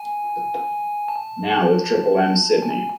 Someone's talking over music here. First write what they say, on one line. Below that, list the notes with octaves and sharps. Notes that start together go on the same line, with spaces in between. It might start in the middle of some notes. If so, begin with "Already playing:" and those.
Now with Triple M Sydney.
Already playing: G#5
A5
G#5